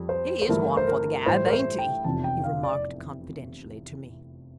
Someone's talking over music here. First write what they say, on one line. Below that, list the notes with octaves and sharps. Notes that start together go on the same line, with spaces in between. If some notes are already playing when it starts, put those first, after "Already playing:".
"He is one for the gab, ain't he?" he remarked confidentially to me.
Already playing: F2 G3
C5
C5
G1 G2 E3 A3 E4 A#4
C5
A#4
A2 E3 G3 C5
A#4
C5
G5
F1 E2 C3 F3 A5
G5
F5
D5